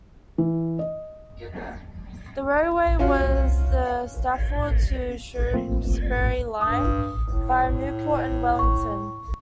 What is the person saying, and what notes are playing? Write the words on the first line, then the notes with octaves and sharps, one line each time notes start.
The railway was the Stafford to Shrewsbury Line, via Newport and Wellington.
E3
D#5
C#4 F4 F#4
F3 A3 A#3 C4 F4
G2 D#6
A2
C#6